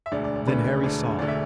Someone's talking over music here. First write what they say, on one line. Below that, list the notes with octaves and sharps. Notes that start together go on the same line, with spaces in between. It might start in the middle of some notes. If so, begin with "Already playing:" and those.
Then Harry saw.
E5
E1 D2 D3 D5
D5
D5
E1 D2 D3 B4
E1 D2 D3
E1 D2 D3 D5
E5